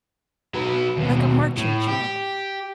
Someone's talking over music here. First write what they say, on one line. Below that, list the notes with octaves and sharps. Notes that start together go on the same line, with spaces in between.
like a marching chant?
F#3 B4
D#2 B2
A2
G4